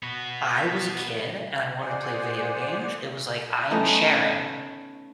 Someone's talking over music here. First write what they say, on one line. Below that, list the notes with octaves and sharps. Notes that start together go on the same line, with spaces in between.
I was a kid and I wanted to play video games, it was like, "I am sharing
B3 F#4
G#4 C5 D5 F#5 G#5
A3 B3 C#4 D#4